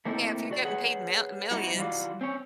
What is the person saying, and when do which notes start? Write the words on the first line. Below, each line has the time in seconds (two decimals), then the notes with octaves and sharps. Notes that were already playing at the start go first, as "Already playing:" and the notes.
Yeah, if you're getting paid m millions,
0.05 A3 A#3 C4 D#4 E4 A4
0.49 D3 F#4 D5
0.65 G#4 B4 C#5 F#5
1.51 G3 B3 D#4 E4 F#4
1.77 E3 G3 F4 F#4 D5
2.21 C4 C#4 C#5